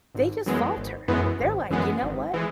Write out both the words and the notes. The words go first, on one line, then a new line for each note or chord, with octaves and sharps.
they just falter. They're, like, you know what?
G#1
F#2 E3 G#3 B3
G#1
F#2 E3 G#3 B3
G#1
F#2 E3 G#3 B3
G#1
E3 G#3